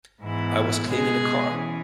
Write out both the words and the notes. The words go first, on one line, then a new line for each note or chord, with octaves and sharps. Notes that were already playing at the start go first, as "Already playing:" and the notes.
I was cleaning the car.
G#2 E3 B3 E4
B2 G#3 B3 G#4
E3 C#4